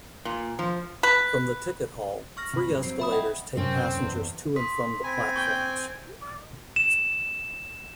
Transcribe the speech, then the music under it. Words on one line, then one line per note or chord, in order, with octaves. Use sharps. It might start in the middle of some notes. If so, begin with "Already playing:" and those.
From the ticket hall, three escalators take passengers to and from the platforms.
A#2
F3
B4
C#6 F6 A#6
C3 B5
F#2 C#3 E3
F#3 C4 C7
E5 B5 D#6
D#5 F#5 G5
F#2 C3 C4 C#4
E2
C6 D#6 B6
C4 G#5 B5 B6
G5 C#6
E7